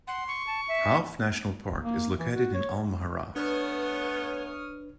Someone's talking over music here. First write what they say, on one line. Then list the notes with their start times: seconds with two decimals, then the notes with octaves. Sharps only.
Hauf National Park is located in Al Mahrah.
0.07 F#5 C6
0.28 C#6
0.47 A5
0.68 E5
1.83 A#3
2.19 E3
2.34 F#4
2.54 C#5
3.36 A3 B3 D4 B4 C#5 D#6 F6